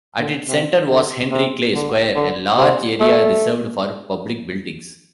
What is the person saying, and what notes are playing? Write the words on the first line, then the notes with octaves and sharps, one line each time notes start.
At its center was Henry Clay Square, a large area reserved for public buildings.
D3
C3
D3
C3
D3
D3
C3
A3